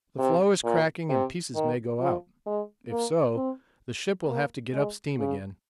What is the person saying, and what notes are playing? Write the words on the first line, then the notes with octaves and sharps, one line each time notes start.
The floe is cracking and pieces may go out--if so the ship will have to get up steam again.
C3
A#2
C3
D#3
F3
G#3
A#3
C4
A#3
G#3
C#3